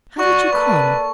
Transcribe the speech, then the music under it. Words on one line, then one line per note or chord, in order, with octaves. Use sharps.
How did you come?
F#4 D5 C#6
A#3 A4 B4 C#6